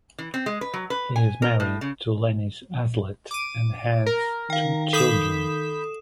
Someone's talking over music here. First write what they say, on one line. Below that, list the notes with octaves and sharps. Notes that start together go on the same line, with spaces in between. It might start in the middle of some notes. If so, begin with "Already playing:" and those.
He is married to Lenis Hazlett and has two children.
E3
C4
G#3
B4
F#3
B4
G#5
A#4
A2
C#3
D6 D#7
A#4
D#3 F5 G5
A4 B5 D#6 G6 B6 E7